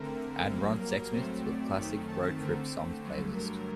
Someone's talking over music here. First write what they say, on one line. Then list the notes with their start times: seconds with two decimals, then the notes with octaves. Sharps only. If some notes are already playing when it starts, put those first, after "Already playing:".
Add ron sexsmith to the classic road trip songs playlist.
Already playing: D3 A3 C4 A#4
0.49 G2 F#3 A#3
0.81 A#4
1.13 A2 F#3 A3 C4 C5
1.45 D5
1.76 F#2 D#3 A3 C4
2.08 A5
2.39 D3 A3 C4 A#4
3.03 G2 D3 F#3 A3
3.34 A#4